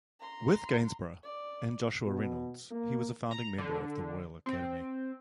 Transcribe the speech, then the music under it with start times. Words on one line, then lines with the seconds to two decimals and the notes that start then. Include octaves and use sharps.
With Gainsborough and Joshua Reynolds, he was a founding member of the Royal Academy.
0.19 A#5 C6
1.23 D5
2.05 B2
2.71 A#3
3.31 A#5
3.58 D3
4.46 C4